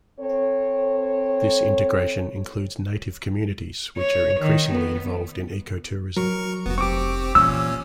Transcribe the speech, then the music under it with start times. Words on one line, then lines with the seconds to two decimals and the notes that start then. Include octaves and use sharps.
This integration includes native communities, which are increasingly involved in ecotourism.
0.20 C4 A4 C#5
3.97 C#5
4.40 D#3
4.70 B3
6.16 F#3 A#4 C#6
6.66 F1 B3 F#4
6.78 C4 G4 C#6 D6
7.35 A#2 E3 C#4 E6